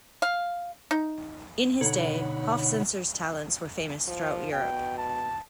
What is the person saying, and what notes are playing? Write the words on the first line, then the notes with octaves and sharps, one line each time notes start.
In his day, Hofzinser's talents were famous throughout Europe.
F5
D#4
B2 D3 D#4 C#5 F#5 B5
F3
B2 G5
A5